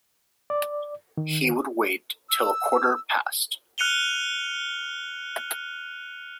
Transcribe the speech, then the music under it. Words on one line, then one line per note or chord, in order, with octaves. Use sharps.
He would wait till a quarter past.
D5
D#3
E6
F6 F#6 C#7 D#7 F7 G7